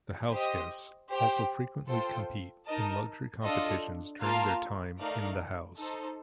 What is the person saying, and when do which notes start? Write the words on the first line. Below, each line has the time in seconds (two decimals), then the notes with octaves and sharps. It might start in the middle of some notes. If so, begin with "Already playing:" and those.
The HouseGuests also frequently compete in luxury competitions during their time in the house.
0.32 G4 C5 D#5
1.11 G4 C5 G5
1.89 F4 A4 C5 G5
2.67 D#4 A#4 D#5 A5
3.44 D4 F4 A4 D#5
4.22 A#3 F4 A#4 F5 A5
4.99 A3 D#4 A#4 D5 F5
5.77 D#4 A4 C5